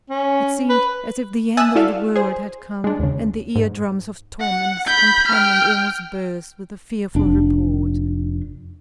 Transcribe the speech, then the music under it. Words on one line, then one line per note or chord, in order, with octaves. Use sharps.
It seemed as if the end of the world had come, and the ear drums of Tom and his companion almost burst with the fearful report.
C#4
B4
E5 G#5 A5 D#6 E6 F#6
E4 F#4 A4 D5 E5 F5
G#4 C5
G#3 D4
D#2 C#3
G#2
F#5
B5 G6
G5 F6
F1 D4